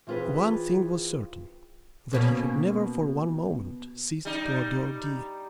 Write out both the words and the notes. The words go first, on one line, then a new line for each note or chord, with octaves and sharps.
One thing was certain, that he had never for one moment ceased to adore Dea.
E3 C4 F4 G#4 B4
B2 A#3 C#4
G3 D#4